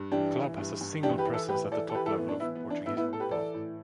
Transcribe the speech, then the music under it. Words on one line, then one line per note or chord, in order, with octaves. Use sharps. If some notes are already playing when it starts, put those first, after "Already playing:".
The club has a single presence at the top level of Portuguese football.
Already playing: G2
E3 D4 G4
E3
G2
G2
E3 D4 G4
G4 B4
E3
E4 A4
A2 G4 B4
E3 A4 D5
A4
E3 G4 B4
E4 A4
A2 B3
D4
E3 B3 E4
B3
E3
D4
A2 B3 E4
B3 E4
A2 A4
G4 B4
E3 A4 D5
A2